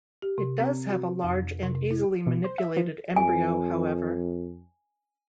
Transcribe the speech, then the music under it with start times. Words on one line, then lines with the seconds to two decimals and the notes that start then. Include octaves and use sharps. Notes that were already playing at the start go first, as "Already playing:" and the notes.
It does have a large and easily manipulated embryo, however.
0.22 G4
0.38 C3
0.60 C4
0.90 F#4
1.23 F2
1.63 C3
1.75 C3
1.91 E4
2.27 B2
2.44 C5
2.58 E5
2.77 F3
3.16 F2 G#5